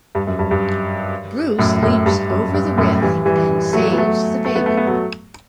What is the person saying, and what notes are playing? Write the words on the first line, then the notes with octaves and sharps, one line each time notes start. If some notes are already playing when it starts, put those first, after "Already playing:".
Bruce leaps over the railing and saves the baby.
G2
F#2
G2
G2
F#2 A2
F#2 A2
G2
F#2
G2
F#2 A2
E3 G3
E3 G3
F#3 A3
B3
F#3 A3
A3
B3
A3
B3
F#3 A3